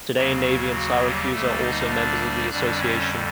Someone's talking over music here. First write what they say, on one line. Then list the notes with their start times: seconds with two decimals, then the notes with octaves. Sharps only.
Today Navy and Syracuse are also members of the association.
0.13 D#2 C#3 F#3 A#3
0.42 F#4
0.73 F#4
1.01 G3 G4
1.31 D2 D3 G3 A3 A#3 A4
1.60 D#4 D#5
1.90 D4 D5
2.49 F2 D3 G3 D4 D5
2.79 C#4 C#5